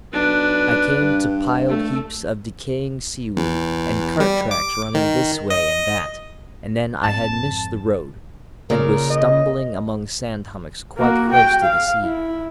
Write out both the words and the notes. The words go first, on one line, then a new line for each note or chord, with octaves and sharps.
I came to piled heaps of decaying seaweed and cart tracks running this way and that, and then I had missed the road and was stumbling among sand hummocks quite close to the sea.
B1 D4 B4
G2
A3
E2
G3
D6
D#3
D#5
F2 G#2 A5
A#2 C#3 A#4
D#5
A#3 F#4
F#4 G5
F5
E4